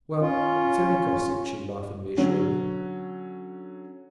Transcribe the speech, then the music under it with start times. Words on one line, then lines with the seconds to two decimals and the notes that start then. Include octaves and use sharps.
"Well, it's only gossip," she laughingly assured me.
0.20 C#4 F4
2.17 D3 F#3 C#4 F#4